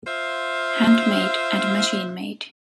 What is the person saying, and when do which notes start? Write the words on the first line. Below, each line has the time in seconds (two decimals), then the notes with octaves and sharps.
Handmade and machine-made.
0.07 F4 C5 E5 F5